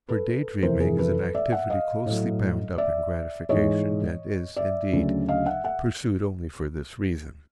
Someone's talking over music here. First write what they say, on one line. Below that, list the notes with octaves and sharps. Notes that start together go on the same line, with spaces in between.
For day dreaming is an activity closely bound up in gratification and is, indeed, pursued only for this reason.
A4 B4
F2 C3 E3 A#4 C5
G#4 A#4
A4 B4
D5 E5
E5 F#5
D#5 F5
A2 F#3
D5 E5
G#2 E3 G#3 C#5 D#5
D5 E5
D2 C#3 F#3
D#5 F5
E5 F#5
E5 F#5